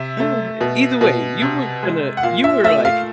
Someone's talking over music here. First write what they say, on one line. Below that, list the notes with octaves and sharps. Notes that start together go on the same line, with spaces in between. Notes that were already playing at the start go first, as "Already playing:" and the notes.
Oh, either way, you were gonna you were like,
Already playing: C3 E5
A3
B2
B2
C3
G#3
F#5
A#2 F5
E5
A3 E5
F5